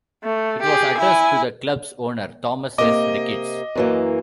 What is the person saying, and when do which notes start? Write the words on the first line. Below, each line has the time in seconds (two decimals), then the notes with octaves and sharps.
It was addressed to the club's owner Thomas S. Ricketts.
0.24 A3
0.62 G4 G#4
0.97 E4 G#5
2.78 C3 A#3 D#5 D6
3.75 F#2 E3 A#3